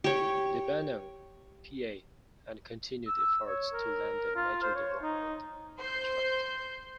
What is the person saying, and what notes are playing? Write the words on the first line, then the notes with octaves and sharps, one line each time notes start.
Lebanon, Pa., and continued efforts to land a major development contract.
G4 C#5
E6
C#5
A#4
F4
C5
C#5
D#4
C5 C6 G6